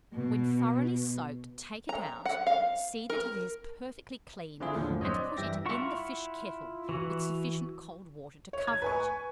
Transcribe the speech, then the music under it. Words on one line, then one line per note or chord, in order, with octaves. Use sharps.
When thoroughly soaked, take it out, see that it is perfectly clean, and put it in the fish-kettle with sufficient cold water to cover it.
B2
A#5
F#5
F5
A#4
D3 C4 E4 F4 G#4
D#2 A2 D3 F3
F#2
C4 C5 C#5 D#5
D5
G2 E3 G3 E5 G5 A#6
E4 F4 F#5 C#6
E3 F#4
C#5
G#6
B4 G#5 C#6